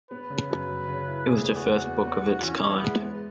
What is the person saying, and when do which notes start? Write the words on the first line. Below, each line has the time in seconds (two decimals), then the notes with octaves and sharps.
It was the first book of its kind.
0.11 B3 B4
0.30 C#3
0.50 F#2
0.69 C#3
0.88 C#3
1.08 E4
1.27 E2 G#4
1.46 B3
1.56 F#4
1.66 E2
1.85 B3
2.05 B3
2.24 E3
2.43 E3 C#4
2.62 E4
2.73 B3
2.82 G#3
3.02 B3